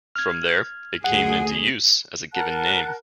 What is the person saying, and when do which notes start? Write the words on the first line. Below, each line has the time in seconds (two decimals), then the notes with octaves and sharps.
From there, it came into use as a given name.
0.16 F6 G#6
1.04 D2 G#4 F#5
2.33 A#4 F#5 A5 F#6